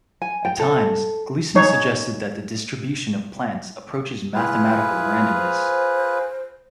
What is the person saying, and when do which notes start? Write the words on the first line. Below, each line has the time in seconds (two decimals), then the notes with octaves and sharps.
At times, Gleason suggested that the distribution of plants approaches mathematical randomness.
0.22 G#5
0.45 G5
0.59 A4
1.55 D#4 C#5
4.35 E4 F4 G#4 B4
5.36 C5